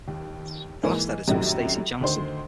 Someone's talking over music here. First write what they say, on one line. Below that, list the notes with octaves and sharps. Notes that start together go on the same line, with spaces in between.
The last editor was Stacey Janssen.
D#2
G#2 E3 A#3
F#2 A2 C3 D#3 G3 F#4
D2 D#3 C5 C6